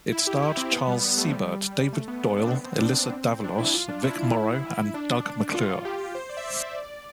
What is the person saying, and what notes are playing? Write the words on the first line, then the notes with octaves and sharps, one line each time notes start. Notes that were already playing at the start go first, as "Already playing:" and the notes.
It starred Charles Siebert, David Doyle, Elyssa Davalos, Vic Morrow, and Doug McClure.
E4
G4
E4
C4
B3
G3
B3
A3
F3
G3
A3
B3
B3
D4
C4
B3
C4
D4
C4
D4
E4
F4
D4
E4
D4
F4
F4
G4
C5
D5
E5
D5
D5